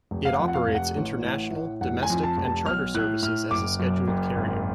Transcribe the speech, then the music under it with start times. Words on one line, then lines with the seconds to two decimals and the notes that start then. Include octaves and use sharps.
It operates international, domestic and charter services as a scheduled carrier.
0.11 F1
0.25 F5
0.33 F#5
0.40 F2
0.48 F#5
0.54 F5
0.68 F1
0.75 F#5
0.96 A1
1.24 A2
1.52 A2
1.81 F1 F#5
2.03 G#5
2.10 F2
2.23 A5
2.37 F1
2.45 A5
2.66 B1 F6
2.94 A2 F#6
3.22 A2 F6
3.51 F#1 D6
3.79 F#2
4.08 F#1
4.36 G#1